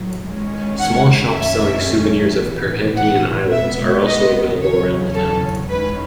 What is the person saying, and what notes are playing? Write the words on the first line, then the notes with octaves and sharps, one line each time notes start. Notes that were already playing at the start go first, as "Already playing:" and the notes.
Small shops selling souvenirs of Perhentian Islands are also available around the town.
Already playing: A2 F#3
E2 D#3 G#3 C#4
F#5
F#2 D#3 A3 C#4 E5
A2 E3 B3
F#5
B2 G#3 B3 E5
D#5
E2 C#3 F#3 C#4 C#5
A4
E2 D#3 G#3 C#4 B4